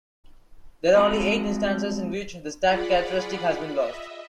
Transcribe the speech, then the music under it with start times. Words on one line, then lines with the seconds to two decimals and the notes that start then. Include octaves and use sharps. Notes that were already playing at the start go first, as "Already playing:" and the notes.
There are only eight instances in which the stacked characteristic has been lost.
0.95 F3 G#3 C4 F#4 F#5 B5
2.62 F4 G#4 D5 F#5 B5
3.73 D#5 E5